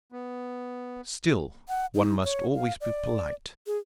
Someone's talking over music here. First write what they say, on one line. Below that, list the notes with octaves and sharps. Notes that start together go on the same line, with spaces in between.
Still one must always be polite.
B3
F#5
D#4
C#5
F5
D5
G#4